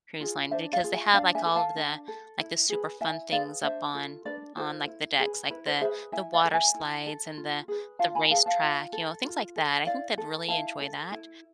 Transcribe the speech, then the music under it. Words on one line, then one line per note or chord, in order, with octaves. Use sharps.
cruise line because they have, like, all of the like, the super fun things up on on, like, the decks, like the the water slides and the the racetrack, you know, things like that. I think they'd really enjoy that,
F4 G#4
D4 C5 E5
D5 F5
F4 G#4
E5 G#5
D4 D5 F5
E5 G#5
A4
F5 A5
D4
A4
E4
G#4 B4
E4 E5 G#5
G#4 B4 D5 F5
D4 C5 E5
F4 A4
D4 B4 D5
F4 A4 C5
E4
G#4 B4
E4 B4
C5
G#4 B4 C5 E5
E4 E5 G#5
D5 F5
A4
E5 G#5
E4
A4
F4
G#4 B4
F4 F5 A5
G#5 B5
G#4 B4 F5 A5
F5 A5
F4
A4
F4
A4
E4 D5 F5
A4
E4 F5 A5
A4
E4